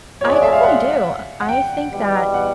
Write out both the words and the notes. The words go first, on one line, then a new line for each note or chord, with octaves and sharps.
I definitely do. I think that,
F2 C3 F3 G#3 C#5
D5
E5
F5
F#5
F#5
G5
E2 B2 G3
F#5